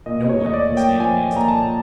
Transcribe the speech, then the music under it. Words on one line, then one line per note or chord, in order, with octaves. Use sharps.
No one can stand against me.
A#2 D#5
C#5
A3
D#5
D5
A#2
G5
F3 G#5
A#2 A#5
A5
A#2